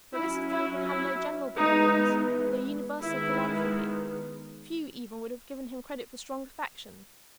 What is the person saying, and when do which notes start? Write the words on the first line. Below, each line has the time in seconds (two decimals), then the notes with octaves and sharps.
But Mr. Thornton had no general benevolence,--no universal philanthropy; few even would have given him credit for strong affections.
0.13 F#3 C#4 E4
0.50 E4
0.86 E4
1.57 E3 G#3 B3 D#4
3.00 D#3 G#3 B3 E4